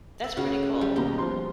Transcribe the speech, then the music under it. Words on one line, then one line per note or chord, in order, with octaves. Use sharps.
That's pretty cool.
E5
C#3 F#4
G3
D#2 B2 G4 A#5
F3 C6